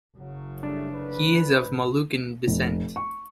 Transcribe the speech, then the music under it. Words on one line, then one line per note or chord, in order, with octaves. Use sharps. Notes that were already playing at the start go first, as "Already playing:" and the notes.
He is of Moluccan descent.
F#1 C#3 F#3
G3 A3 D4
D2 B4
A1
F1
C#6